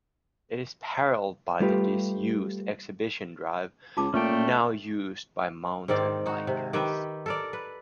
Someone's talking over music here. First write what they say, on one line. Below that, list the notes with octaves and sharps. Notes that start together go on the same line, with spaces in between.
It is paralleled by the disused Exhibition Drive, now used by mountain bikers.
G3 A3 F4 G4 B4
C#2 F4 A5 D6
A#2 A3 C#4 G5
G#2 D#3 C4 D5
D#4 F#4
C3
D#3 G4 B4 E5
A4 A#4 D5
B4